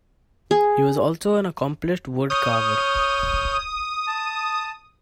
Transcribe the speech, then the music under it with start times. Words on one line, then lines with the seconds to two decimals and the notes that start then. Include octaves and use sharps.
He was also an accomplished wood carver.
0.51 G#4
2.30 C#5 D#6 F6 G6
4.07 A5